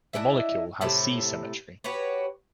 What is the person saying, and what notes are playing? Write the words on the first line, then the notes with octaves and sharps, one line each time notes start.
The molecule has C symmetry.
D4 E4 D#5 E5
A2 C3 E4 A4
F#4 G4 B4 C#5